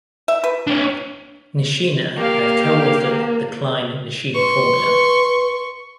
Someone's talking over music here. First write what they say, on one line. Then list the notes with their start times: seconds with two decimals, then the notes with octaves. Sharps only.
Nishina had co-authored the Klein-Nishina formula.
0.28 E5
0.44 B4
0.67 D4 C#5
2.17 A#3 G4 F5
4.34 B4 C6 C#6